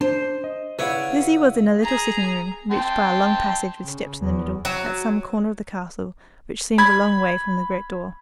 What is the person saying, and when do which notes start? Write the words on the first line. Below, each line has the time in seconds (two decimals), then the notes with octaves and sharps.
Lizzie was in a little sitting-room, reached by a long passage with steps in the middle, at some corner of the castle which seemed a long way from the great door.
0.01 D4 C5
0.44 D#5
0.79 C#3 E4 B4 C#5 D5 F#5
1.80 G#4 A#5
2.71 G5 A5 C6
3.83 C#3
4.21 E2
4.65 F#3
6.78 B5 G#6